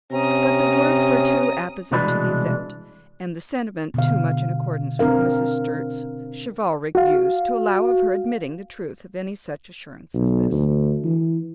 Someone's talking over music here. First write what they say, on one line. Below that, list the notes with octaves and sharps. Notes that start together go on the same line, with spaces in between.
But the words were too apposite to the event, and the sentiment too much in accordance with Mrs. Sturt's chivalric views to allow of her admitting the truth of any such assurance as this.
C3 C#4 A#5 D#6
C2 B2 E3 G#3 D4 B5
B2 D3 F5
C4 D4 A#4 F5
F#4 F5
B1
D2
E3